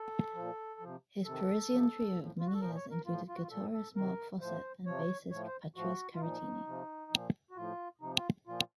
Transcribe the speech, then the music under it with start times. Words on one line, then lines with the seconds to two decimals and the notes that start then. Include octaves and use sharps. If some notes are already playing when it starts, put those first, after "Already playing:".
His Parisian trio of many years included guitarist Marc Fosset and bassist Patrice Carratini.
Already playing: A4
0.35 A#2 F3
0.80 C3 F3
1.25 C3 D#3 A4
1.71 C3 F3
2.16 A2 F3
2.40 F4
2.46 F#4
2.54 A4
2.61 A#2 F3 A#4
2.76 C#5
2.91 A#4
3.06 A2 F3 F4
3.28 F4
3.35 F#4
3.42 F4
3.51 A#2 F3 A4
3.73 A4
3.96 C3 D#3 A#4
4.41 A2 F3 C5
4.86 C3 F3 C#5
5.31 A2 F3 C#5
5.46 C5
5.76 A2 F3 F#4
6.14 F4
6.21 A#2 F3 D#4
6.67 C3 F3
7.12 A#2 F3
7.51 F#4
7.57 A2 F3 F4
8.01 C3 F3 D#4
8.17 F4
8.47 A#2 F3 F4